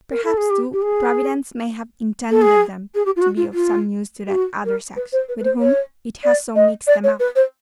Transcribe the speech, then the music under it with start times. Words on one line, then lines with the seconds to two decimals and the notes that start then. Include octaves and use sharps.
Perhaps, too, Providence may have intended them to be of some use to that other sex, with whom it has so mixed them up.
0.10 A#4
0.23 A4
0.37 G#4
0.50 G4
0.72 G4
0.82 G#4
2.30 A4
2.41 G#4
2.94 G#4
3.05 G4
3.16 F4
3.21 F#4
3.37 F4
3.53 F4
4.27 G4
4.32 F#4
4.65 A#4
4.96 B4
5.12 C5
5.28 B4
5.40 B4
5.44 C5
5.60 C#5
6.24 D5
6.55 D#5
6.87 D5
7.03 C#5
7.19 B4
7.35 C5